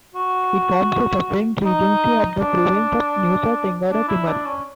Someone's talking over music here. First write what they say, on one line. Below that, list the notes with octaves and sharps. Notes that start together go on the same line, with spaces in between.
It forms a separate regency of the province of Nusa Tenggara Timur.
F#4
D#4
D4
D4
E4
D4
C#4